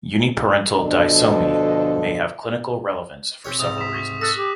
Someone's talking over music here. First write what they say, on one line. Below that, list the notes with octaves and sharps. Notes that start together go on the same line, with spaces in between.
Uniparental disomy may have clinical relevance for several reasons.
D2 B2 F3 D4 A4 D#5
C4 G4 C#5
G#2 C3 D#6 F7
B6 E7
C#6
A4 D#6 F#6 A#6
G4